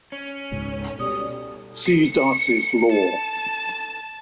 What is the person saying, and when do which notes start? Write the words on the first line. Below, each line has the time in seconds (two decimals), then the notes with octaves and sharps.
See Darcy's Law.
0.12 C#4
0.52 C#2 G#2 B2
1.00 B2 G3 D#6
1.86 C#7
2.92 A5